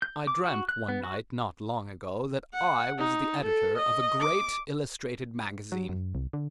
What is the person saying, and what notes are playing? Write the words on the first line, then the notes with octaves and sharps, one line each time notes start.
I DREAMT one night not long ago that I was the editor of a great illustrated magazine.
G6
D6
F#4
F#6
B3
F#4
F#5
D#4
A4
D#5
D6
F#3
F#2
C2
D3